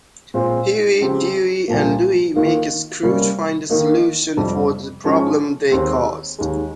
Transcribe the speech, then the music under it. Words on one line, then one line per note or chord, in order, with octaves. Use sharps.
Huey, Dewey and Louie make Scrooge find a solution for the problem they caused.
A#2 G#3 C4 F4 C5
C#3 F3 G#3 C4 G4
C2 A#2 F3 A#3
D#3 A#3 F4
C3 G3 A#3 C#4
D#3 A#3 D#4
F2 C3 G3
G#2 F3 G#3 C#4 G#4
D#2 D#3 G#3 C4 G4
D#2 D#3 G#3